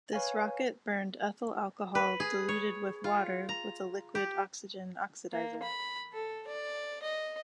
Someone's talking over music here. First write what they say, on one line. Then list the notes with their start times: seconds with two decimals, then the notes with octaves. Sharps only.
This rocket burned ethyl alcohol diluted with water with a liquid oxygen oxidizer.
0.13 B4 C#5 F5 G#5
1.95 B4
2.20 G#4
2.49 C#5
3.04 F4
3.49 A#5
4.15 G4
5.32 A#3
5.63 B5
6.13 A4
6.47 D5
7.03 D#5